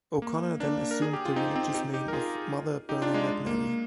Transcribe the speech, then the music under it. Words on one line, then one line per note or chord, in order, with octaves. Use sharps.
O'Connor then assumed the religious name of "Mother Bernadette Mary".
A#3
A#3 D4
A#4
G#4
G4
F4
C4 D#4
C4 D#4
D#4 G4
D#4 G4
A#4
F4 G#4
D#4 G4
D4 F4
G#3
G#3
A#3